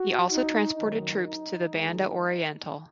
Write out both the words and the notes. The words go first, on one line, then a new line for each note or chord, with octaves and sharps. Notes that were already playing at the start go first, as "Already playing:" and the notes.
He also transported troops to the Banda Oriental.
Already playing: F#4
D#4
F#2 D#3 F#3 D#4
D#4
D#2 D#3 G#3